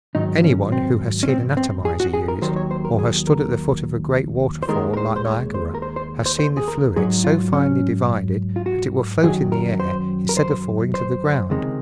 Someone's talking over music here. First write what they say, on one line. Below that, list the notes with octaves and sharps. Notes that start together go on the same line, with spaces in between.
Anyone who has seen an atomizer used or has stood at the foot of a great waterfall, like Niagara, has seen the fluid so finely divided that it will float in the air, instead of falling to the ground.
G#2 D#3 F#3 D#4
C#4
C4
C#4
C4
C4
G#4
F#4
G#4
A#4
D#2 D#3 F#3 C5
C#5
C5
A#4
G#4
A#4
C5
D#2 D#3 G#3 A#4
A#4
C5
C5
C#5
C5
A#4
C5
C5
C5
C5
G#4
A#4
G#2 F#3 G#4
F4
C#4
F4
F#4
F#2 D#3 F#3 G#4
A#4
C5
A#4
C5
C5
C#2 C3 D#3 G#3